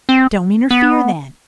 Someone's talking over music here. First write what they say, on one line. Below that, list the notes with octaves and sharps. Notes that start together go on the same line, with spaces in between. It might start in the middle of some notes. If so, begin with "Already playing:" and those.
"Don't interfere then."
C4
B3